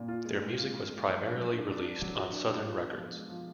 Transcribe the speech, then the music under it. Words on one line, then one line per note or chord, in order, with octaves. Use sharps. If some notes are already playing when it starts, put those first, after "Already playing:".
Their music was primarily released on Southern Records.
Already playing: A#2
F4
G#3
G#3
F4
G#3
G#3
F3
D4
F#3
D4
D4
D4
F#3
F#4
D4
D4
F4
B3
F3
G#3
F3